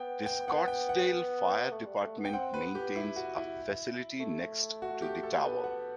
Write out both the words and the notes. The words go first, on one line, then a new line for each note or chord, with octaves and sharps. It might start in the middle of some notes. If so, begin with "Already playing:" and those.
The Scottsdale Fire Department maintains a facility next to the tower.
Already playing: B3 G5
G5
B3 F#5
G5
F#5
A3
G3
A3
B3
G5
C4 F#5
B4
B3
G4
E4
F#4
E4
A3
F#4
G4
A4
B3 B4
F#5